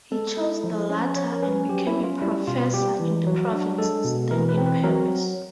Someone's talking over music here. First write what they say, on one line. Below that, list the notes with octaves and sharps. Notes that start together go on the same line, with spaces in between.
He chose the latter and became a professor in the provinces, then in Paris.
G#3 A4
E4
F3
C#4
F3 C#5
A#4
C#4 B4
F#3 G4
E4
C#4
F4
G3 E4
B2 F4
G3 G4
E3
F#3
D4
G#3 A4
B2
E3 A#4
B4
C4
B4
F#3 A#4